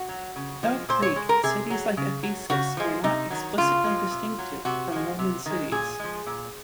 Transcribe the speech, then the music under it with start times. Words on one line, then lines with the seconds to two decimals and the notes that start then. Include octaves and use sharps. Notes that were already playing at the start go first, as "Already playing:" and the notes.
Though Greek, cities like Ephesus were not explicitly distinctive from Roman cities.
Already playing: F#4
0.09 F#3
0.36 C#3
0.63 F3 G#3
0.89 A#2 C5
1.02 C#5
1.16 G#3
1.29 A#4
1.43 C3 G#4
1.70 F#3
1.97 C#3
2.23 F#3
2.50 C#3 F#4
2.77 F3 G#3
3.04 C3 D#4
3.30 D#3 F#3
3.57 C#3 F4
3.84 F3 G#3
4.11 C3
4.38 F#3
4.65 C3 F#4
4.92 F3 G#3
5.19 C3
5.46 D#3 G#3
5.72 A#2 G#4
5.99 F3 G#3
6.26 A#2